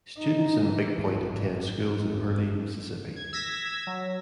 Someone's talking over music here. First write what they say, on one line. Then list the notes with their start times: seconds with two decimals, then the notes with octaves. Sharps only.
Students in Big Point attend schools in Hurley, Mississippi.
0.17 D#4
0.66 E3
1.09 G#1
2.02 G#1
3.16 G#6
3.33 E6 G#6 A#6 B6
3.87 F#3